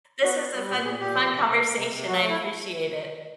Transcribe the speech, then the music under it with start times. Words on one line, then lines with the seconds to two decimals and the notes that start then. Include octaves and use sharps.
This is a fun fun conversation, I appreciate it.
0.24 B3 F#4
0.39 B3
0.54 G3
0.69 A#2 G4
0.84 A#2 G#4
1.00 A#2 G4
1.16 F3
1.30 C3
1.45 C3
1.61 A#3
1.76 C3
1.92 C3
2.07 F#3 F#4
2.22 A3
2.30 E4